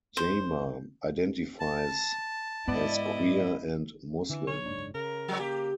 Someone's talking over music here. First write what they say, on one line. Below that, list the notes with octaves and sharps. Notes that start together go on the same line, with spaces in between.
Jama identifies as queer and Muslim.
C5
A5
G#2 B3 E4 D5 D#5
D3 E3
C#5
F#1 G#2 D4
C#3 A#4
F3 G3 C#5
A#3 G4